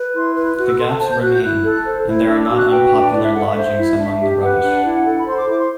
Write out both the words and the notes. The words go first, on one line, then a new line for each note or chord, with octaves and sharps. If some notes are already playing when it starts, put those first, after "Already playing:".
The gaps remain, and there are not unpopular lodgings among the rubbish.
Already playing: B4
E4 C6
B4
F#4 F#6
E6
A4 C6
A5
C5 A5
G6
F#4 F#6
G6
E4 F#6
A4
C5
E4
D4 E6
E6
F#4
F#6
B4 G5
D4
E4 D5
E5
A4 F#5
E5
C5 E5
E4
D4
G4
B4 F#5
D4
E4
A4
B5
C5 C6
D6
E4 D6
C6